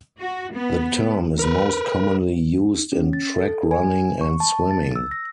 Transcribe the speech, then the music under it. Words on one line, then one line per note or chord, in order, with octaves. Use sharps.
The term is most commonly used in track running and swimming.
F#4
B3
A#4 B4
C#4
A6
A4
G#5
C#6
A5
A6
E6
A#6